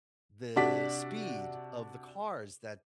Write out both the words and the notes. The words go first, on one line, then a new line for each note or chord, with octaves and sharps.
the speed of the cars that
C3 D4 F#4 D5 B6